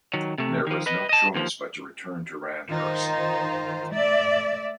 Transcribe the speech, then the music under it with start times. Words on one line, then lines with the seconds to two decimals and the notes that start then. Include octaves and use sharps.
There was no choice but to return to Randhurst.
0.13 D#3 F#3
0.38 C3 A3
0.67 D#3 F3
0.86 B4 D#5
1.09 D#5 A5
1.35 D#2 F3
2.69 D#3 D#4 F4 C5
3.91 A3 D5 E5